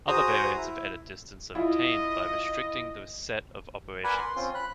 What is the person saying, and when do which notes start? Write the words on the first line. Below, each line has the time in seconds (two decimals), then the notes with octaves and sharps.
Other variants of edit distance are obtained by restricting the set of operations.
0.07 F#4 G#4 C5 A#5 D#6
0.56 E4
1.55 E4 F4 D#5
4.04 A#4 B4 D5 F#5 G#5 B5
4.17 C6
4.36 C4 C#4 F4
4.55 B5 F#6